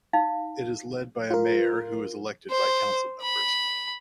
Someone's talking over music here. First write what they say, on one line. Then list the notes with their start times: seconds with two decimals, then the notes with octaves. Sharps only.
It is led by a mayor, who is elected by council members.
0.13 D#4 F5
1.30 F4 A#4
2.50 C5
3.22 B5